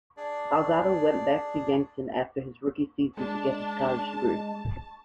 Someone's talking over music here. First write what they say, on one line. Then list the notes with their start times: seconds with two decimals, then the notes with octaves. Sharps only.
Alzado went back to Yankton after his rookie season to get his college degree.
0.17 D4 G#4 D5
3.17 G#3 D4 A5